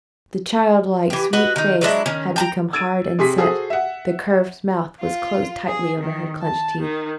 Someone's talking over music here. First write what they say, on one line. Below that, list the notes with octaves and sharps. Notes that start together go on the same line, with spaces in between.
The childlike sweet face had become hard and set, the curved mouth was closed tightly over her clenched teeth.
E3 G4
F#4 B4 D#5 F#5
D#3 D#4
F#3 G#3 D4 E4
D#3 C#4
G5 A5 A#5
E6 G#6 A6 D7 D#7
C3 G#4 C6 B6
F#4 G#4 A4 C5 D#6
E5 F#5
F4
G#4
D#3
A5
D#3